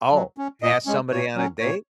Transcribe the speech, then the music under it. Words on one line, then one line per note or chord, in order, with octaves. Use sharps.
Oh, ask somebody on a date?
F#3
C#4
A#2 D#5
G#3 C#4
A#2 C#5
F#3 C#4
A#2 C#5